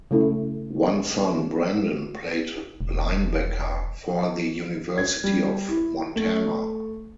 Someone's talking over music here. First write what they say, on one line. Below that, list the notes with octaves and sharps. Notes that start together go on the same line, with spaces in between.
One son, Brandon, played linebacker for the University of Montana.
C#3 A3 E4
E1
G#6
G3
E4
A3